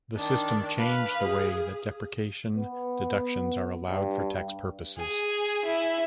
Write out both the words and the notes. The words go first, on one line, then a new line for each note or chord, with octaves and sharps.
The system changed the way that depreciation deductions are allowed for tax purposes.
D#3 D4
B4 F5
G#4
B3
G2
G#4
E4